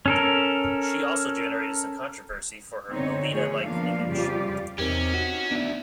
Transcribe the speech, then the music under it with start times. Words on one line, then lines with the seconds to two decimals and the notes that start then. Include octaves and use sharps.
She also generated some controversy for her Lolita-like image.
0.06 C#4 A4 A#4
2.89 D3 B3 C4 D#4 C#5
3.30 D#3 F3 A3 G#4 C#5
3.63 F3 A#3 B3 D4 F5
4.07 F2 C#3 G3 F4 G4 D5
4.78 E2 C4 C#4 D#4 G4 A#4
5.14 F#4 B6
5.51 B3 D4 E5